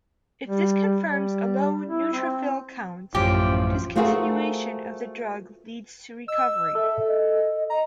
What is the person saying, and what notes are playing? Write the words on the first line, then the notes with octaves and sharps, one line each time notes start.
If this confirms a low neutrophil count, discontinuation of the drug leads to recovery.
G3
G3
E4
C4
A1 F#2 F3 G4 G#6
A3 C4 F4 F#4 G#4 A#4
D#5 E6
A4 E5
D#5
D#5 A#5